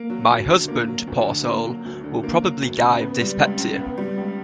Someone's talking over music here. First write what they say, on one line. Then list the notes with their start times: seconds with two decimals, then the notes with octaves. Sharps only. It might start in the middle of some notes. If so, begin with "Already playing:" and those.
My husband, poor soul, will probably die of dyspepsia.
Already playing: A#3
0.10 F#3
0.30 D2
0.49 D3
0.68 A#3
0.88 F#3
1.07 D2
1.27 D3
1.46 A#3
1.65 F#3
1.85 D2
2.03 D3
2.23 A#3
2.42 F#3
2.62 D2
2.81 C#3
3.01 B3
3.21 G3
3.40 C#2
3.59 C#3
3.79 B3
3.98 G3
4.17 C#2